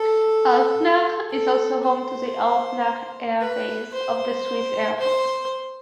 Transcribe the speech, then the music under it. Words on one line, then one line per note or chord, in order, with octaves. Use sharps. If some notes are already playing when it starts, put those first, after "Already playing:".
Alpnach is also home to the Alpnach Air Base of the Swiss Air Force.
Already playing: A4
A4
C5
B4
C5
C5